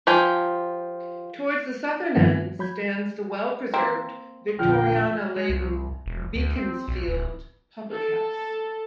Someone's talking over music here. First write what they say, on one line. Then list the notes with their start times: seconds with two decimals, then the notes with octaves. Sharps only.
Towards the southern end stands the well-preserved, Victoriana-laden "Beaconsfield" public house.
0.07 F3 F4 G4 G5 G#5
2.15 G2 D#3 F3 A3 B3 C4
2.59 F#3 B5 G6 G#6
3.74 A#3 C4
4.59 A#1 E2 D3 F3 G5 F6
5.36 G#3
5.49 C2
6.06 E1
6.35 D2
6.56 C4
6.88 B1
7.08 D1
7.91 A4